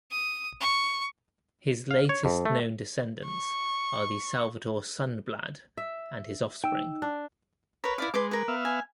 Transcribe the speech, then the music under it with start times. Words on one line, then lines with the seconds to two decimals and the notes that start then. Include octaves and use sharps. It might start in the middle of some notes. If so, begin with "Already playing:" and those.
His latest known descendants are the Salvador Sundblad and his offspring.
0.11 D#6
0.61 C#6
1.91 F5
2.09 C#5
2.25 F2
2.46 A3
3.25 C#6
5.77 E5
6.64 D#4 G5 E6
7.02 D4
7.84 A#4 B4 C#5 B5
7.98 E4 B4 D5 F5
8.14 G#3 B4 C6 D6
8.31 A#4 B4
8.48 B3 E5 F5
8.65 G#5